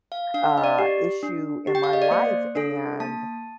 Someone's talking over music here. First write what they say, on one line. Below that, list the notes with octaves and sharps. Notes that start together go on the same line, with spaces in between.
uh, issue in my life, and
F5
D4 F5
D#5
D5
G4
D4
G4
G5
F5
D#5
D5
A#3 C5
D4 A4
A#3 A5